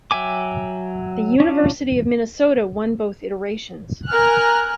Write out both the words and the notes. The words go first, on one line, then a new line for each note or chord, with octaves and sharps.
The University of Minnesota won both iterations.
F#3 E5 G5 G#5 D6
C#4 D4 F4
A#4 G#5 F6 F#6